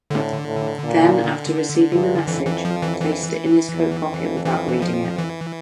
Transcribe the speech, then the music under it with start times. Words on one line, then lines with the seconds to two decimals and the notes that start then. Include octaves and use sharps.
Then after receiving the message, placed it in his coat pocket without reading it.
0.10 A2 D3
0.47 A2
0.84 A#2
1.92 G2
2.28 F2 E3
2.46 E3
2.65 F3
2.82 E3
3.01 E3
3.73 E2
4.09 F2
4.45 E3
4.82 F3
5.18 E3